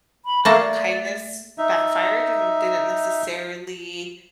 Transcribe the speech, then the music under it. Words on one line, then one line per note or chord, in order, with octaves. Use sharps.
um, kindness backfired and didn't necessarily
B5
A3 A#3 F5 A5
D5
D#4 E5